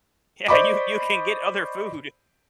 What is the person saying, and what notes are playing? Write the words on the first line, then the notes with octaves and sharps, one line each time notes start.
Yeah, you you can get other food.
C5 D5 D#5 B5 C#6 D6